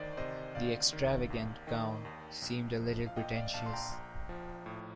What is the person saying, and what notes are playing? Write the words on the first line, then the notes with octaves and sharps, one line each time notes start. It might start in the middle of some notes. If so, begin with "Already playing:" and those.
The extravagant gown seemed a little pretentious.
Already playing: D2 D#3 C5 D5 D#5
D5
C3 C5 D#5
D2 D5 F5
D#3
D#2
D#3 D#5 G5
D#2
A#1
F3
F5
A#2 D#5 G5
D5 F5
A#1 F5 A5
C6
G5 A#5
A#1
F3
A2